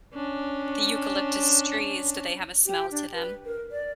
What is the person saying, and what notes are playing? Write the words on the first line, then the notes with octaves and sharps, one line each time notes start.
The eucalyptus trees, do they have a smell to them?
C#4 D4
G4
D4
B4
A#4
D5